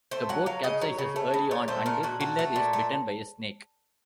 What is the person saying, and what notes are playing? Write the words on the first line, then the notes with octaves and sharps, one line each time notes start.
The boat capsizes early on and Pilar is bitten by a snake.
A3 C5
F#3 F#5
F#3 F5
C#3 D#5
F#3 C#5
C#3
A3
C#3
A#2 C#5
A3 C5
A#2 A#4
A#2 F#4
A3 F#4
A3
A#2
A3